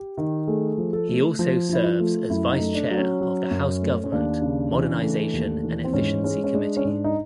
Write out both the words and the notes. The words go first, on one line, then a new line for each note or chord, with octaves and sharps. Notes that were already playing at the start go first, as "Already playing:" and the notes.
He also serves as vice chair of the House Government Modernization and Efficiency Committee.
Already playing: G4
D#3
A3 G#4
F3
A4
A3
F3
F3 E4
F4
A3
F#2 E4
D#4
A3
D4
F#3
C#4
F#3
F#2
A3
C#4
D#2 D4
C#3
E3
A3
D#2
E3
C4
G#2 C#4
G#3 C#4
C#4
G#3 D4
C#4
G#2 D4
D#4